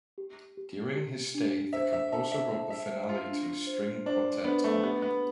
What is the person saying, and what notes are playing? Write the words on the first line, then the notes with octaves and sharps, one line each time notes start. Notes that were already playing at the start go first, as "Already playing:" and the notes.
During his stay the composer wrote the finale to his String Quartet Op.
G4
G4
G4
D4
C5 E5
E5
E5 A5
E5
E5 A5
E5
C5
F4
D4
C5
D4 C5
B3 D4
A3
B3 G4
B3